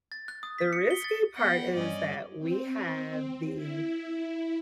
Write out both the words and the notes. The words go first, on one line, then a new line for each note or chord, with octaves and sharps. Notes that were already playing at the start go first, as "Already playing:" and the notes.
the risky part is that we have the
A6
F#6
D#6
B6
C#7
G7
A6
B3 F#5 G5
G2 C#4 D5 D#5
C4
E4